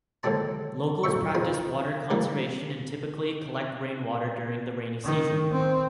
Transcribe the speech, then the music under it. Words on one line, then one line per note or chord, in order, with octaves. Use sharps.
Locals practice water conservation and typically collect rainwater during the rainy season.
D#2 G#2 D3 F#3 D4 A5
A#1 F2 E5 C#6
B2 F3 D#4 G#4
G#2 E3 G3 A#3 D#4
D#3
C4